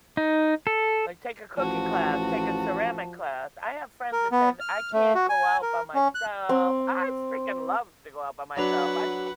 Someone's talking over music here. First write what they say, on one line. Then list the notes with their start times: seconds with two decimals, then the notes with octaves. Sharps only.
Like, take a cooking class, take a ceramic class. I have friends that say th "I can't go out by myself." I freaking love to go out by myself. I'd
0.17 D#4
0.67 A4
1.57 A1 F3 F#4 A5
4.12 A#4
4.32 B3
4.60 F6
4.93 A3
5.15 F#4
5.29 G#5
5.63 A#4
5.94 C#4
6.15 F#6
6.49 C4
8.57 F#3 D4 F#4 B4 F#5 F7